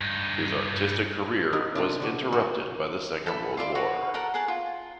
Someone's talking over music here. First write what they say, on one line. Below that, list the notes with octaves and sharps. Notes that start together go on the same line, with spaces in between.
His artistic career was interrupted by the Second World War.
G2 D#4
B3 D#4 A#4
C3 C4 D4
D3 F#4 G4
F#4
A4 E5 B5
F4 D5 E5 C6
F#4 B4 C#5 F#5
A4 A#4 F#5 A#5
G#4 F#5 A5
F4